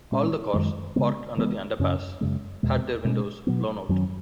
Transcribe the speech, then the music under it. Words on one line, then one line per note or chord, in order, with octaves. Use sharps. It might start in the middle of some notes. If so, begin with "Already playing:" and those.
All the cars parked under the underpass had their windows blown out.
A#2 G#3 C#4
F#2 D#3 G#3
C#3 G#3 B3
C#3 E3 G#3 B3
F#2 C#3 F#3 C#4
F#2 C#3 G#3
E2 B2 G#3
B2 G#3 C#4
B2 F#3 B3
F#2 D#3 F#3 C#4